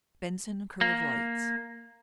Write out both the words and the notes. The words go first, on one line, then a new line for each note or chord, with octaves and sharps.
Benson curve lights!
A#3